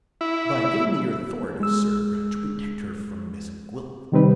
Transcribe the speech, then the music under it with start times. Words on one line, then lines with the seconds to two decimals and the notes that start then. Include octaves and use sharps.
"By giving me your authority, sir, to protect her from Miss Gwilt."
0.21 E4
1.60 G#3 E6
4.12 C3 D#3 G3 C4 D#4 B4